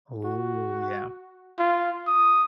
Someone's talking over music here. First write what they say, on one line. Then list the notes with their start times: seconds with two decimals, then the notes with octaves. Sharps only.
Ooh, yeah.
0.25 F#4
1.59 F4
2.07 D#6